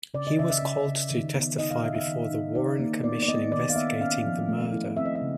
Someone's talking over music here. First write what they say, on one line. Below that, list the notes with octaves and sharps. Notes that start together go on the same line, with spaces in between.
He was called to testify before the Warren Commission investigating the murder.
C#3 D5
D#5
C#3 E5
E5
C#3
C#3
D#3
B3
D#4 D#5
F5
D#3 E5
E5
D#3
D#4
D#4 D5
A#3
B3 D5
D5
B3 D#5
D#3 D5
F5
B3 E5
C#4 F5
F3
A3
E4
C4 E5
D#5
E5
C#3